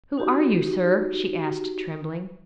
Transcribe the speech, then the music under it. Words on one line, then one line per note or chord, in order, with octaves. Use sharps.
"Who are you, sir?" she asked, trembling.
D#4 F#4 G4